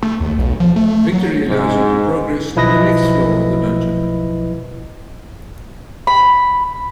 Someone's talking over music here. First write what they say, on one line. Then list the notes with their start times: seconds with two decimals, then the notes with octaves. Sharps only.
Victory allows you to progress to the next floor of the dungeon.
0.03 A3
0.20 D#2
0.38 B1
0.60 F3
0.76 A3
1.12 F#3
1.49 G#2
2.56 B1 F3 E4 B4 D#5 A#6
6.07 B5